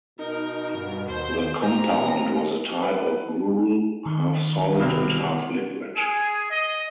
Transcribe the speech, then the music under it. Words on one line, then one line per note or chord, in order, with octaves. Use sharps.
The compound was a type of gruel, half solid and half liquid.
B2 D#4 A#4
G2
D#2 C5
A#2 G4 A#5
C4
B4
D#3
C2 B2
G#4
D#5